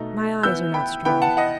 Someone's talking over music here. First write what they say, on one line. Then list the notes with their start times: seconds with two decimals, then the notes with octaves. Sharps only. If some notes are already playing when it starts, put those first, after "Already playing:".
"My eyes are not strong."
Already playing: B2 A3 D#4
0.43 E3 B3 E4 E6 G6
0.74 G5 B5
1.05 E3 B3 E4 G5 B5
1.22 F#5 A5
1.37 D#5 F#5